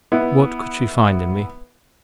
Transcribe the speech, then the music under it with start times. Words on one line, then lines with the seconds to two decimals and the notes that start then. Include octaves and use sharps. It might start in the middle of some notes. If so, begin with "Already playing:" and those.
What could she find in me?
0.12 B3 E4